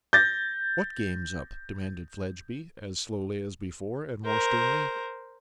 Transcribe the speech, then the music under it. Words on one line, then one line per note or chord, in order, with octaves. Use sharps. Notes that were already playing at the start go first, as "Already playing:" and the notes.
'What game's up?' demanded Fledgeby, as slowly as before, and more sternly.
G6 A6 A#6
A#4 C5